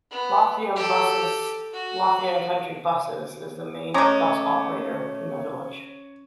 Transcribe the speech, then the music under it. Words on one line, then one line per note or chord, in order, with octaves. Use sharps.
Lothian Buses's "Lothian Country Buses" is the main bus operator in the village.
B3
G4 A4
F#4
G#3 A3 C#4 C#5 A#5 D6 D#6